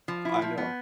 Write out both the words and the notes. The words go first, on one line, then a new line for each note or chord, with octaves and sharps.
I know.
F3
E4
F3
B3